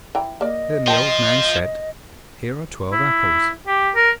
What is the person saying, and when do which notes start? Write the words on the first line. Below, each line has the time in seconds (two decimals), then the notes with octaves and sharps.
Then the old man said, 'Here are twelve apples.
0.15 E3 G5 A#5
0.41 A#3 D5 D#5
0.88 F4 C5 G5 A5
2.92 E4
3.67 G4
3.95 A#4